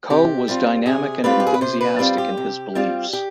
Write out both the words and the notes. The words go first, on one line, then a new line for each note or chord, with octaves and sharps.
Coe was dynamic and enthusiastic in his beliefs.
C3 G4
G3 C4 F4
C3 G#4
G3 C4 F4 B4
G4
G#4
B4
C3 C5
B4
G3 C4 F4
G4
C3
G3 C4 F4
G4